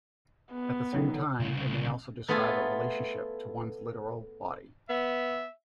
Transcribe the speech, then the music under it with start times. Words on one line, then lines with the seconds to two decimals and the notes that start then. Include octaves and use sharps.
At the same time, it may also describe a relationship to one's literal body.
0.53 B3
0.93 D3 D#3 F#3
1.40 C2 C#3
2.28 A3 B3 F4 G#4 A4
4.89 B3 E5